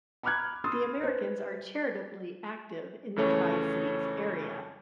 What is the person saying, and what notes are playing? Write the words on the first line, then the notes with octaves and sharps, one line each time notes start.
The Americans are charitably-active in the Tri-Cities area.
A#5 B5 D6 F6 F#6 G#6
B5 C6 D#6 E6 A6
B4 C5
F2 C#3 E3 A3 C#5 A5